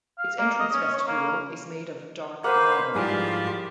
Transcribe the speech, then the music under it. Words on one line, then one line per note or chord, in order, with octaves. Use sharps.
Its entrance vestibule is made of dark marble.
F5
A#3
D#5
C#4
C#5
A#3
A#3 B4 C5 F#5
G#2 F3 G3 E4 F4 G4 G#4